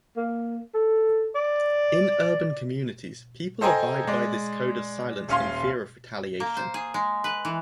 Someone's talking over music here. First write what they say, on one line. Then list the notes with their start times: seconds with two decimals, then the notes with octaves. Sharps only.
In urban communities, people abide by this code of silence in fear of retaliation.
0.17 A#3
0.74 A4
1.35 D5
3.61 A4 C5 D#5 G5 G#5 A#5
4.07 G#3 D5
5.28 D#1 C#4 F5 C6
6.40 A#3
6.57 C5
6.74 G#4
6.94 G#3
7.24 B4
7.45 E3